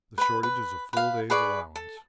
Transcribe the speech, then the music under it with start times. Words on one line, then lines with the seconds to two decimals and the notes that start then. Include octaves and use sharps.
The shortage is a full day's allowance.
0.18 B4 B5
0.43 B4
0.93 B4 F5
1.30 G#4 B4 D5 C#6
1.76 A4